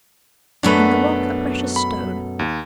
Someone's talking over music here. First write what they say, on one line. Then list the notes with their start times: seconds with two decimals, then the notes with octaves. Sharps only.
In the rock, a precious stone.
0.63 F#2 B2 A3 D4 B4
1.76 B5
2.39 D#2